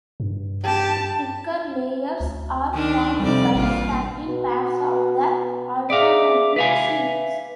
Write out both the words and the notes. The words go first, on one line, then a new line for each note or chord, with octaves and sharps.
Thicker layers are formed by stacking pairs of the alternating sheets.
G2
G4 A5
D2
D#3 D4
F2 C3 G3 D5
A1 G2 A#2 F4
B2
G#4 D5 E5 F5 D6
B4 E5 F5 G#5